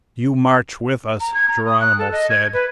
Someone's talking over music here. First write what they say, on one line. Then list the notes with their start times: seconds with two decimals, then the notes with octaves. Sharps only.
"You march with us," Geronimo said.
1.20 A#5
1.34 G#6
1.48 A#5
1.65 D#6
1.81 F#6
1.99 A4
2.12 D#5
2.30 G#6
2.53 B4